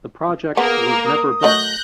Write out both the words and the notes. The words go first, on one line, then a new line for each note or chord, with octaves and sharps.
The project was never built.
A#3 B3 G#4 A#4
D#6
F#3 A3 D#5 F#6 G6 A#6